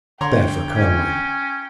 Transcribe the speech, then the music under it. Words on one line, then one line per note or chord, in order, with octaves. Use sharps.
Bad for Conway.
D3 C#5 G5 A#5 C6
C#4